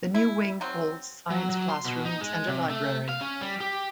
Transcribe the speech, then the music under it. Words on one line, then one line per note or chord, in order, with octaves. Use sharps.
The new wing holds science classrooms and a library.
E4
D#3 F#3 C4
F#3
F#3
C6
B2
D#4
G#3
C3
A3
F5
C#4
G3
G4